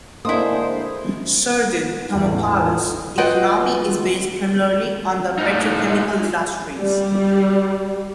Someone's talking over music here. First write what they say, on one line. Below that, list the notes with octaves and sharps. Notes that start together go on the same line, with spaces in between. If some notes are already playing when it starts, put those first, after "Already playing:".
Southern Tamaulipas' economy is based primarily on the petrochemical industries.
D3 G#3 A#3 E4 C5 D#6
B3
E2
A1
A5
F4
F4 F#4 B4 D#5 F#5 G5
A2 D#4
G3